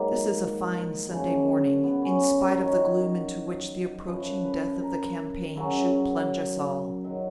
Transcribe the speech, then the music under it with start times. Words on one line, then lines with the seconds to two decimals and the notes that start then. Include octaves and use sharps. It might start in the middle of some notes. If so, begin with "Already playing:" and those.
"This is a fine Sunday morning in spite of the gloom into which the approaching death of the campaign should plunge us all."
Already playing: G#2 F#3 A#3
1.09 F#2 C#3 F3
1.83 B3
2.02 C#4
2.20 F#4
2.39 A#4
2.58 F#2 D#3 F#3 C#5
4.06 F#2 F3 B4
4.44 B4
4.81 A#4
5.55 F#2 C#3 F#3
7.04 F#2 D#3 F#3